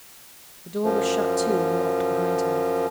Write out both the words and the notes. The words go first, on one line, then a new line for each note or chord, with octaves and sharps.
The door was shut to and locked behind her.
F#2 F3